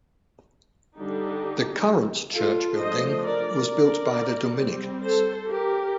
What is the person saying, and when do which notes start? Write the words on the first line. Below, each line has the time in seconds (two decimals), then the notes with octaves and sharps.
The current church building was built by the Dominicans.
0.98 D3 G3 D4 D#4 G4
2.34 F4 A4
2.78 F3 A3 D4 C5 D#5
3.23 A#4 D5
3.68 A#4 D5
4.58 G3 C4
5.04 A4 C5
5.49 G4 A#4